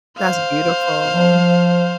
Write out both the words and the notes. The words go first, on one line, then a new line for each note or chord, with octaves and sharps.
that's beautiful.
C5 F5
F3